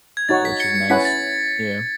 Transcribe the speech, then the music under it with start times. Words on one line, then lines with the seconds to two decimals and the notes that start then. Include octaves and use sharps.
uh, which is nice. Yeah,
0.17 G#6
0.29 D#4 F#4 C#5 A6
0.45 B6
0.60 C#7
0.75 C#7
0.90 C#4 E4 B4 F#5 B6
1.05 A6